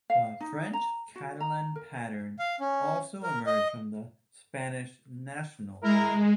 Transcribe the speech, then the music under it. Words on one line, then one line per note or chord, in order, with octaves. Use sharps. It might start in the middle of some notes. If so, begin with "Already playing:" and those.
The French Catalan pattern also emerged from the Spanish National pattern.
F5
D#4
A#5
F#4
A#5
A#4
F5
C#4
A#4
D#5
G#3 E4 A#4